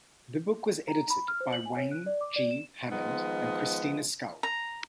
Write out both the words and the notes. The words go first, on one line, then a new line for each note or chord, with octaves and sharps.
The book was edited by Wayne G. Hammond and Christina Scull.
A#5
B5
F6
C5
F#7
G#5
C#5
F#6
D5
D6
D5
E7
D#3 F3 G#3 B3
A#5